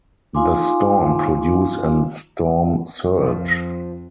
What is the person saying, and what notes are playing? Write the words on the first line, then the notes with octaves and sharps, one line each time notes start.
The storm produced an storm surge.
D#4 F4 F5 G#5 C6 D6
F2 F3